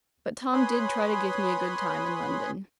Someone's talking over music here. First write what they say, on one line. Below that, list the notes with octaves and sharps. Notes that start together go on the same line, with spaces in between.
But Tom did try to give me a good time in London.
B4 C#5 G#5 B5 C6 D#6